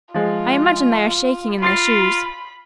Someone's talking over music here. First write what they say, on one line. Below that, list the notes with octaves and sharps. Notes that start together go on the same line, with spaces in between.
"I imagine they are shaking in their shoes."
F3 G#3 F4
F4 B5 C6 A6 C7